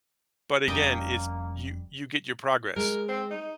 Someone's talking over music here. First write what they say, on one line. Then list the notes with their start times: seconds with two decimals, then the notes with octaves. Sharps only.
but again, it's you you get your progress,
0.68 F1 F2 G3 A#3 C#4 D#5 G5
2.76 G#3 A#4
3.09 C4
3.31 D#4